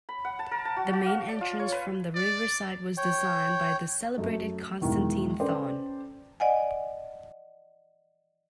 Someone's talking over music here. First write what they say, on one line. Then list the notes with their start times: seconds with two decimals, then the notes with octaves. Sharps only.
The main entrance from the riverside was designed by the celebrated Konstantin Thon.
0.09 B5
0.25 F#5
0.39 A5
0.51 A#4
0.65 A5
0.77 F#4
0.93 F#4
1.06 F5
1.28 D5
1.41 F4
1.59 C#5
1.72 B4
2.15 D5
2.97 C#5 G5
4.18 F#2 A3
4.81 B1 E2 D#3 E3 G#3
5.40 C#4 A4 B4 C5 D5 G5
6.40 D5 D#5 F#5 G#5